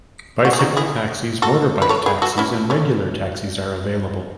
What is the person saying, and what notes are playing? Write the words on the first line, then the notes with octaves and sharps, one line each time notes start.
Bicycle taxis, motorbike taxis and regular taxis are available.
F#4
G#4
D#4 F#4
E4 G#4
F#4 A4
B4
A4 C#5
G#4 B4
F#4 A4
C#4 E4
A3 C#4